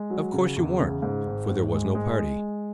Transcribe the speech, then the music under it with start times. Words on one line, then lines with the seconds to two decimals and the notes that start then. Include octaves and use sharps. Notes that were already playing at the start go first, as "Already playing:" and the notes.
Of course you weren't, for there was no party.
Already playing: G#3
0.10 F#3
0.33 C#3
0.56 E2
0.80 C#3
1.02 G#2
1.26 G#1
1.49 G#1
1.72 G#3
1.95 G#3
2.19 G#3